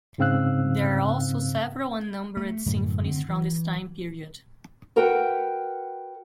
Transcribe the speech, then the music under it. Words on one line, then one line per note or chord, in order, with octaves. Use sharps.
There are also several "unnumbered" symphonies from this time period.
G#2 C#3 C4 F5 E6 F#6
A3
F#2 A2 D3
D3 C4
E3
F#4 A#4 B4 F#5 G5